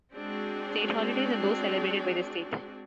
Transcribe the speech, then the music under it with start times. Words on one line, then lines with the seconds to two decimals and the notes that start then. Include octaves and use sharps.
State holidays are those celebrated by the state.
0.14 G#3 C4 D4 F#4 G#4